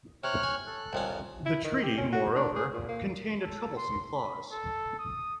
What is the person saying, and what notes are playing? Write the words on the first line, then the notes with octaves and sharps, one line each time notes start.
The treaty, moreover, contained a troublesome clause.
C3 C#5 F6 F#6
G#5
A4 F#6
C2 F2 C#4
E4
D#3
G4
C#4
F#4
D4
G#4
A#2
A#3
A4
C6
B5
A4
D#6